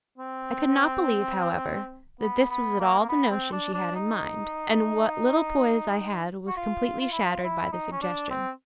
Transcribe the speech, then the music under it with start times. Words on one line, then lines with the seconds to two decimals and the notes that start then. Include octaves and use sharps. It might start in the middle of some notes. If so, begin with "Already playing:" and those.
I could not believe, however, that this was at all the notion she had in mind, and what little poise I had was completely shattered by the suggestion.
0.18 C4
2.21 B3
2.50 B3
2.80 A#3
2.99 A#3
3.08 B3
3.31 C4
3.52 D4
3.74 D4
3.95 D#4
6.47 F#4
6.56 F4
7.01 F4
7.12 E4
7.24 F4
7.44 E4
7.72 D#4
7.92 C#4
8.02 D4
8.30 C4